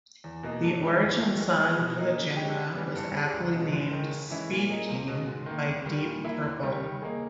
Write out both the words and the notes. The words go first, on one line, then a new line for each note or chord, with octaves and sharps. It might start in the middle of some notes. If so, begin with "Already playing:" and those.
The origin song for the genre was aptly named "Speed King" by Deep Purple.
E2
B2 A#3 D#4
G2
D#3 G#3
D#2
D#3 G#3
E3
G#3 B3
B2
A#3 D#4
C#3
G#3 C#4 G4
C#3
E3 G3 B3
G2
G3 C#4 G#4
C#2
B2 G#3 C#4
G#2
D#3 G#3
C#3
E3 G#3 C#4 E4
A#2
A#3 D#4 G#4
C#2
B2 G#3
G#2
D#3 A#3
D#2
D#3 G3
A#2
A#3 E4
D#2
D#3 G3
D#3
A#3 D#4 G#4